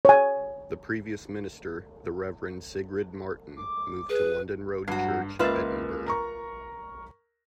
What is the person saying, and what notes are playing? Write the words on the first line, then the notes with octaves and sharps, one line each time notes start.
The previous minister, the Reverend Sigrid Marten, moved to London Road Church, Edinburgh.
C#5 G#5
D6
G#4 B4
G2 F#3 F#4 C7
C#2 A#3 F4 B4 E5 A6
A#4 A#5 C#6